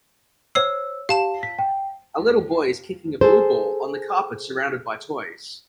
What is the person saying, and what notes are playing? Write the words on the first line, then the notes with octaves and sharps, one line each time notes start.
A little boy is kicking a blue ball on the carpet surrounded by toys.
C5 C#5 E6 C7
G4 F5 A5 E7
B6
G5
G#4 A4 C5